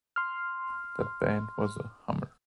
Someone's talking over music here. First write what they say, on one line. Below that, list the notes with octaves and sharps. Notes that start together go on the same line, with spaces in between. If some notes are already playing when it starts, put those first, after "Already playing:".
That band was a "hummer"!
C6 F6